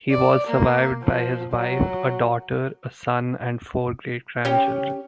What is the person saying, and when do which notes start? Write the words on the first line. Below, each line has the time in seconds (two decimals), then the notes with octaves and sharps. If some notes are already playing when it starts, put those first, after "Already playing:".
He was survived by his wife, a daughter, a son and four great-grandchildren.
0.11 D5
0.47 A#3
1.03 F3
1.52 F#3
4.45 C#4 G4